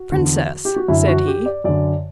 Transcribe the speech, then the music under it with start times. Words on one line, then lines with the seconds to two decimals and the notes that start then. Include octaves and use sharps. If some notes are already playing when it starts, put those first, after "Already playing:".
"Princess!" said he.
Already playing: F#4
0.12 E2 D3
0.65 G4
0.76 F#4
0.88 F#2 D3 E4
1.08 F#4
1.27 G4
1.46 D5
1.64 F#2 D3 D5